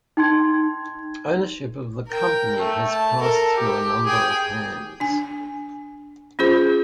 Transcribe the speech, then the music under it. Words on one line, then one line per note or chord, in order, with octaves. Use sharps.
Ownership of the company has passed through a number of hands.
D#4 G5 C6 G#6
A#4 G5
A3
A5
A4 A#4
G4
G#4 G5
D4 G#5
C#4 F4 G#4 C5